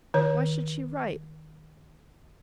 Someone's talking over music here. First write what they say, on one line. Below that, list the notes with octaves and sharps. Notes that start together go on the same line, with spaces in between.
Why should she write?
D#3 C#5